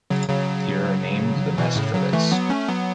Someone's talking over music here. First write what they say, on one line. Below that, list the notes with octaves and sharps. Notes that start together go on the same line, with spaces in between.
Here are named the best for this.
C#3 F#3
C#3 F#3
B2 E3
A2 C#3
C#3 F#3
E3 A3
F#3 B3
A3 C#4
F#3 B3